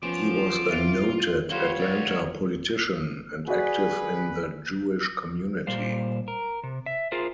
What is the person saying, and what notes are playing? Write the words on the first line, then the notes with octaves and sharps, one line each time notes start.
He was a noted Atlanta politician, and active in the Jewish community.
F3 B3 C#4 D6
C4 E4 F4
G3 F4 F#4 C5 C#5
F#4 D5 D#5
F#4 G#4 B4 D5
A#2 G3 C5 F5
A#4
C3
E5
F4 G#4 A#4 C5